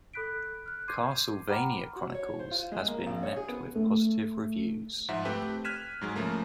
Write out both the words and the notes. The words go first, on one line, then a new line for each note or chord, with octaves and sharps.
"Castlevania Chronicles" has been met with positive reviews.
A4 B5 F#6 B6 D7
F6 F#6
C6 D6 G6 G#6 C7 D#7
F#5 G5 A#5 B5 D6 F6
F#4
C#5
C5
F4
G#3
A#3
A#1
C#5
G#4
B3
A3
G#2 F3 E5 F#5
A3 C4 G4 B4 G5
F6 F#6 G#6 B6 D#7 E7
G#2 F#3 G#3
C#3 F3 A3 A#3